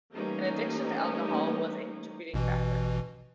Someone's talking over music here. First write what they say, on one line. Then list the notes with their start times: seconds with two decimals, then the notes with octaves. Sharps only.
An addiction to alcohol was a contributing factor.
0.13 E3 G3 A3 A#3 C#4 D#4
2.34 A1 B2 E3